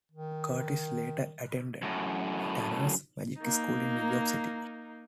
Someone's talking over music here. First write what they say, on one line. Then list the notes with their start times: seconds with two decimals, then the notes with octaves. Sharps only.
Curtis later attended Tannen's Magic School in New York City.
0.12 D#3
1.82 F#2 A2
3.40 A#3 D#4